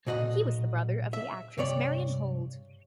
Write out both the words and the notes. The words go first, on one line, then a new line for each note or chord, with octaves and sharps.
He was the brother of the actress Marianne Hold.
B1 A#2 F#4 D#5 F#5
E5
G2 C3 C#5 D5